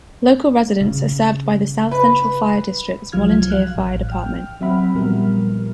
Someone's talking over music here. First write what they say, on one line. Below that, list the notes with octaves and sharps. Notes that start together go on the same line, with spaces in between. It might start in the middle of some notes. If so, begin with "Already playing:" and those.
Local residents are served by the South Central Fire District's volunteer fire department.
C#3
B4
C2 F3 F#3 F4 F6 G#6
F5 F#6
A1
G5 F6
F#3 C4 E5 F#5 B5 F6
A#2 F3 G3 B3 A#4 F6